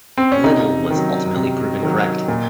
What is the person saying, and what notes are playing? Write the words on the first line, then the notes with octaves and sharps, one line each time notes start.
Little was ultimately proven correct.
C4
C#4
C3 D#4
D#3 F#3
C3
D#3 F#3
A#2